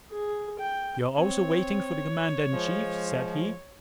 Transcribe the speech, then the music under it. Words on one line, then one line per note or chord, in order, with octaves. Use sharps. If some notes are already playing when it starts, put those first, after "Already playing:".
"You're also waiting for the commander-in-chief?" said he.
G#4
G5
C4 C#5
F3 G#3